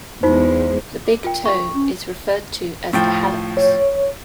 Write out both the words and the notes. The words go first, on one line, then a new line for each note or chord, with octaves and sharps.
The big toe is referred to as the hallux.
E2 G#3 D#4 F4 F#4 C5
D6
F4 A#4 G5
C#6
C#4
A2 F3 G5
C#5